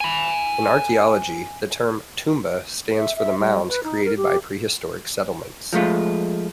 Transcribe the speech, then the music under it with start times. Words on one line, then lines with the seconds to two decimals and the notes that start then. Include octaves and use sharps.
In archaeology the term Toumba stands for the mounds created by prehistoric settlements.
0.01 G#5 B5
2.95 E5
3.16 E5
3.38 G3
3.68 B4
3.83 D#4
4.05 A#4
4.16 G4
5.73 F3 G#3 A3 F4